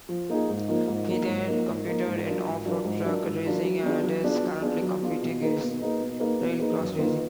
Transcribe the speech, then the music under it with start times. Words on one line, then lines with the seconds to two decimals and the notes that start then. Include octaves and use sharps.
He then competed in off-road truck racing and is currently competing in rallycross racing.
0.09 F3
0.29 A#3 D#4 G#4
0.49 G#2
0.68 F3 A#3 D#4 A#4
0.88 G#2
1.07 F3 A#3 D#4 A#4
1.27 G#2
1.47 F3 A#3 D#4 A#4
1.67 G#2
1.86 F3 A#3 D#4 A#4
2.06 G#2
2.26 F#3 D4 F4 A#4
2.46 G#2
2.65 F#3 D4 F4 A#4
2.84 G#2
3.05 F#3 D4 F4 A#4
3.25 G#2
3.44 F#3 D4 F4 A#4
3.64 F#3
3.83 B3 D4 F4 G#4
4.03 F#3
4.23 B3 D4 F4 G#4
4.42 F#3
4.62 B3 D4 F4 G#4
4.81 F#3
5.01 B3 D4 F4 G#4
5.22 B2
5.41 A#3 D#4 G#4 B4
5.61 B2
5.80 A#3 D#4 G#4 B4
6.00 B2
6.20 A#3 D#4 G#4 B4
6.40 B2
6.60 A#3 D#4 G#4 B4
6.79 F#2
6.98 D#3 A#3 F4 B4